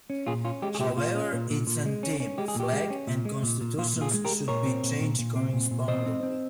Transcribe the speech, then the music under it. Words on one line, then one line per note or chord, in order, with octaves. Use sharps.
However, its anthem, flag and constitutions should be changed correspondingly.
C#4
A#2 F4 G#4
C#4 F4
G#3 G4
G#4
A#2 G4
A#2 F4
C#4
A#2
A#2
A#2
G#3
C#4
C#4
G#3 G4
G#4
A#2 G4
G#3
C#4
A#2
G#3
A#2
A#2
A#2 F4
A#2
F4 G#4
G#3
G4 A#4
G#3
A#2 A#4 C#5
C4
A#2
A#2
A#2
C4
A#2
A#2
C4 C5 D#5
C4
C4